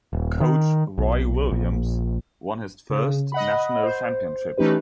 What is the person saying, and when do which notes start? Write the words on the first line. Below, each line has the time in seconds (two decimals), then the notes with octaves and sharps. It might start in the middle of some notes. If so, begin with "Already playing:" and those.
Coach Roy Williams won his first national championship.
0.13 D#1
0.40 D#3
0.98 B1
1.51 A#1
2.90 C#3
3.32 D#5 F#5 B5
3.84 C5
4.58 E3 A3 C#4 D#4 G4 B4